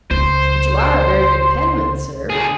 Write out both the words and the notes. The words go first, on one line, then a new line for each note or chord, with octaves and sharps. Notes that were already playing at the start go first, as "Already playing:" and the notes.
'But you are a very good penman, sir.
C#2 C5
D2 G#4